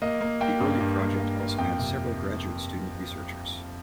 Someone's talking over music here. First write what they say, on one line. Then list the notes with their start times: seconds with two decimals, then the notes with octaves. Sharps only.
The early project also had several graduate student researchers.
0.02 A#3 D#5
0.21 A#3
0.41 A#3 G5
0.60 G2
0.81 G2
1.00 A#3
1.20 A#3
1.39 A#3
1.58 F2 G5
1.79 C3